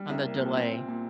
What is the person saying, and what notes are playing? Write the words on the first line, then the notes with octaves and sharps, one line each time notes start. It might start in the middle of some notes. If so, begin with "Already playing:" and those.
on the delay.
Already playing: G3
C2
A#3
A#2
C4
A#2
A#2